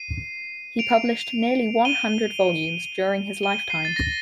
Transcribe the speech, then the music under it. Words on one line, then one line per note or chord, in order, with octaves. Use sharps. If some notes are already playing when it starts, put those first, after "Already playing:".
He published nearly one hundred volumes during his lifetime.
Already playing: C7 D#7
D7 F7
D#7 G7
D#7 G7
C7 D#7
A6
A#6